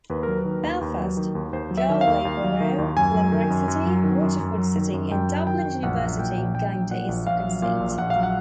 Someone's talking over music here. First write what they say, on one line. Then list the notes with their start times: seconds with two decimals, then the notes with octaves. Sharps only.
Belfast, Galway Borough, Limerick City, Waterford City and Dublin University gained a second seat.
0.10 D#2 B4
0.23 F#3 A#4
0.37 B4
0.45 D#3
0.63 D#2
0.81 D#2
0.99 F#3
1.17 D#3
1.35 D#2
1.53 D#2 C5
1.71 F#3
1.78 E5
1.89 D#3
2.01 F5
2.07 D#2
2.25 D#2
2.43 F#3
2.61 D#3
2.78 D#2
2.96 F#2 G#5
3.15 F#3
3.32 D#3
3.50 F#2
3.68 F#2
3.86 F#3
4.04 D#3
4.22 F#2
4.40 F#2
4.58 F#3
4.76 D#3
4.94 F#2
5.11 F#2 G5
5.29 F#3
5.47 D#3 G5
5.65 F#2
5.83 A#1 F#5
6.01 F#3
6.19 A#2 G5
6.38 A#1
6.55 A#1 G5
6.73 F#3
6.90 A#2 F#5
7.08 A#1
7.27 A#1 F5
7.45 F#3
7.62 A#2 F5
7.80 A#1
7.98 A#1 F#5
8.10 F5
8.16 F#3
8.23 F#5